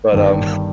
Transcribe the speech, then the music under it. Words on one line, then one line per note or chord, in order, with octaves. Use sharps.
but, um,
G1 G2 D#3 G3